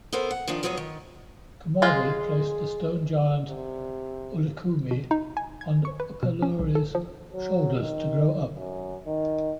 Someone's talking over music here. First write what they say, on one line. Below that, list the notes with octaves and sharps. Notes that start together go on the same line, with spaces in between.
Kumarbi placed the stone giant Ullikummi on Upelluri's shoulders to grow up.
B3 E4 A4 A#4 C5
F#5
D#3 F3 D4 F4
F3 F#3 G#3 B3 G#4 C#5
D#3
G#3 F4 G#4
C3
B2
D#4
G#5
G#6
C#6
B4
B2
C#4
B1
A4
F3
F#3
D#3
F#2
D#3